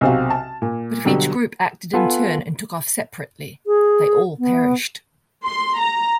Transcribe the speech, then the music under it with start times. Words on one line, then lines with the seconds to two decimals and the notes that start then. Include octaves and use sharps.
But if each group acted in turn and took off separately, they all perished.
0.01 B1 C3 C4 F#4 F5
0.30 A5
0.62 A#2
1.05 B2 D3 F#3 G3
1.94 B3 F4 A4 B4 F#5 G#5
3.67 G#4
4.39 B3
5.46 C6
5.80 A#5